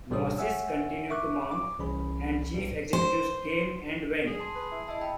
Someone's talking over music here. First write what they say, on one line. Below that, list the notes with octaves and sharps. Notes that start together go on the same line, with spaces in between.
Losses continued to mount, and chief executives came and went.
A1 C3 G3 D4 A4 D#6
C#5 E5 F#5 G#5 E6
E5 C#6 D6 F#6
D6
C2 E3 C#4 G#4 B5
B1 G2 G3
C5
G#4
A5 C6
B4
E4
E4 D#5 A5
G5 B5 E6